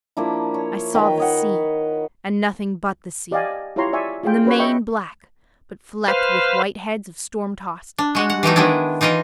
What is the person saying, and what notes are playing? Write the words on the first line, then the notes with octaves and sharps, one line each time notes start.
I saw the sea, and nothing but the sea; in the main black, but flecked with white heads of storm-tossed, angry waves.
F3 A#3 D4 E4
C#5
D#3 B4 G5
C#5 D#5 F#5
G4 D5 D#5 F5 G5 G#5
E4 F4 G4 C#5 A#5 C6
D5 E5 G#5 C6 C#6
F4 G#4 G5
C#4 F#4 B4 C#5
D#5 E5 G5 C#6
B4 C5 F5
D4
G#3 F#4
F#5
E3 G3 A3 D#4
D#3 G#3 B3 D4 E4
E3 D#4 F4 A#4 D#5